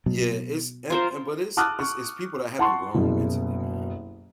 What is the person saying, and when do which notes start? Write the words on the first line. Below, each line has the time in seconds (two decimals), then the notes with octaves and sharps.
yeah, it's and and, but it's it's it's people that haven't grown mentally, man.
0.06 B2 F#3
0.90 F4 A#4 C5
1.57 A5 D6 D#6 F6 F#6
1.79 C#6
2.59 F#5 A5 C6 C#6
2.94 F#1 C2 B2